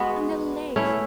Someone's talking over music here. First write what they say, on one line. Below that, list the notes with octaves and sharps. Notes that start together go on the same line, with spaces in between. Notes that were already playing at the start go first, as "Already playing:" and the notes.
And the legs!...
Already playing: G#3 B3 F#4 B4
A3 C#4 E4